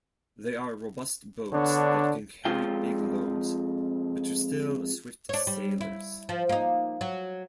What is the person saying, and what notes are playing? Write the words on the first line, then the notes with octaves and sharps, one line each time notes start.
They are robust boats that can carry big loads, but are still swift sailers.
D3 B3 D4 C#5
F2 G#3 F4 G5
D4 C#5
G3
E4
F3
A#3 D#4
F#3